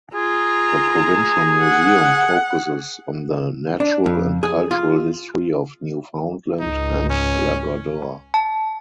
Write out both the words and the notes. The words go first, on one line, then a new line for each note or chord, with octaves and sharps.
The Provincial Museum focuses on the natural and cultural history of Newfoundland and Labrador.
F4 G#4 A#5
F#5
D4
F2
G#4
F4
C#2 G#2 D#4
C#4
A5